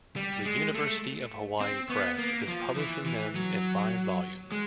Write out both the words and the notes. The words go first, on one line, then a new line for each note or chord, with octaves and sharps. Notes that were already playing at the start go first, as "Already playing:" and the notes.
The University of Hawaii Press is publishing them in five volumes.
G3
G#3
A3
C4
B3
A#3
F3
E3
E3
F#3
G#3